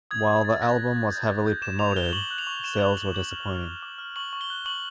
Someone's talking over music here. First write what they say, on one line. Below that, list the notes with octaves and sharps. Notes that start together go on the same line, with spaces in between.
While the album was heavily promoted, sales were disappointing.
D#6 G#6
D#6 G#6
D#6 A6
F#6 A#6
F#6
F#6
G6
D6
G6
D6 E7
D6 F7
G6 G7
C#6 F#7
F#6
F7
C#6
C#6 E7
C#6 F7
F#6 F#7
D6 F#7
F6
F6
F6
D6
F6
C#6 F#7
C#6
G7
F#6
C#6 F#7